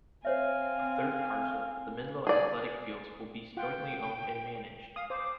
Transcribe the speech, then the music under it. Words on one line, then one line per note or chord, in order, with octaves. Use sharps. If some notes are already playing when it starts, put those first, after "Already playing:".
A third parcel, the Menlo Athletic Fields, will still be jointly owned and managed.
C4 C5 C#5 E5 F5 G#5
G#4 D5
F4 F#5 G5
F5 D#6
C5 D6